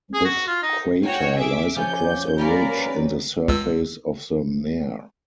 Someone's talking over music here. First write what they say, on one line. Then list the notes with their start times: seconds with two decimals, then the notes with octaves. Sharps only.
This crater lies across a ridge in the surface of the mare.
0.14 G#4
0.25 F#4
0.47 F4
0.63 D#4
1.03 F#4 C#5 G5 G#5
1.37 G#4 E5 D6
1.76 F3 B3 C#4 G#5 D6 G6
2.38 F#3 G3 A#3 C#4 A#4 D5 G#5 B5
2.77 B4
3.48 C#2 E6